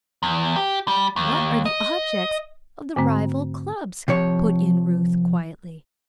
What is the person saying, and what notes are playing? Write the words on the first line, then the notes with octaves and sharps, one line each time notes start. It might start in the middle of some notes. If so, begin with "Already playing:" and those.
"What are the objects of the rival clubs?" put in Ruth, quietly.
E2
G4
G3
D#2
D#5
G#2 D3 A3 C4
C3 F3 C#5